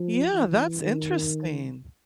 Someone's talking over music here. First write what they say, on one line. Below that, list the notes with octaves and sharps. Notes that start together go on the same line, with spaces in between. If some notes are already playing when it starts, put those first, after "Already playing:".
Yeah, that's interesting.
Already playing: F3
E3
D#3